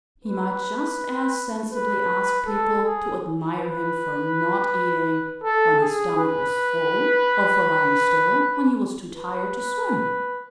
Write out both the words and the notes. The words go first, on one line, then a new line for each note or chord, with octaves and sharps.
He might just as sensibly ask people to admire him for not eating when his stomach was full, or for lying still when he was too tired to swim.
B4
B4
A4
G#4
B4
A4
G#4
B4
B4